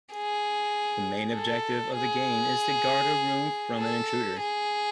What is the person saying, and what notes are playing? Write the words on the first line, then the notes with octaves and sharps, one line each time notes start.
The main objective of the game is to guard a room from an intruder.
G#4
A4
G#4
A4
G#4